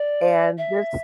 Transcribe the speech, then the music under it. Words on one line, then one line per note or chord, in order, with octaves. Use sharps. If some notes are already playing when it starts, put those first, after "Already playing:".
and this
Already playing: D5
E5